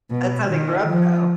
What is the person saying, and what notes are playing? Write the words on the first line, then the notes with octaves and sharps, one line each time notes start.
that's how they grew up, though.
B2
D#3
F3